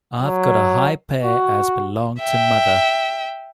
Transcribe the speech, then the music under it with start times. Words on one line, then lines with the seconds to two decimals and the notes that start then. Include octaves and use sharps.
I've got a high pair as belonged to mother.
0.19 F#3
1.21 F#4
2.20 E5 G5